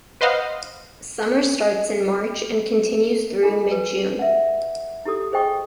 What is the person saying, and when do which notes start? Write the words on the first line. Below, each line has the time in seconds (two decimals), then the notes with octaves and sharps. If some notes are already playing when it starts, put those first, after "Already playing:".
Summer starts in March and continues through mid-June.
0.21 B4 C5 D#5 F5 F#5
3.43 F4 G#4 A4 G#5
3.71 B4
4.19 E5 F#5
5.05 E4 G4 A4 D#6
5.32 G#4 C5 D#5 G5 C#6 D#6